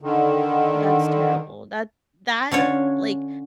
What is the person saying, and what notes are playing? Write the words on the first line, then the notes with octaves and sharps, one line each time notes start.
That's terrible. That that, like,
D3 D#3
D3 C#4 F4 C#5